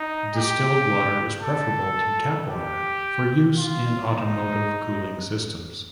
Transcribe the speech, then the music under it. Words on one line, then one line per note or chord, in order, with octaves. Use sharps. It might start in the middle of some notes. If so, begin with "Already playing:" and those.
Distilled water is preferable to tap water for use in automotive cooling systems.
Already playing: D#4
G4
A4
G4
F4
D#4